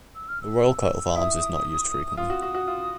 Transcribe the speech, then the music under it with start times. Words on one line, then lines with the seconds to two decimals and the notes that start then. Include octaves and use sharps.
The royal coat of arms is not used frequently.
0.15 E6
0.28 F6
0.41 E6
1.16 E4 D#6
2.17 F4 D#6
2.30 F#4
2.42 F#4
2.55 F#4
2.67 F4